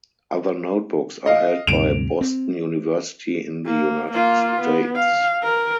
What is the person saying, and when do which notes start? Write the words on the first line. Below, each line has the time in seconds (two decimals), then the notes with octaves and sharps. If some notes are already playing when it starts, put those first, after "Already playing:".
Other notebooks are held by Boston University in the United States.
1.26 D#5 F5
1.67 D2 G2 C3 D7 E7 F7
2.21 C4
3.66 A#3
4.12 A#3 F4
4.61 B3
4.95 F5
5.43 A#4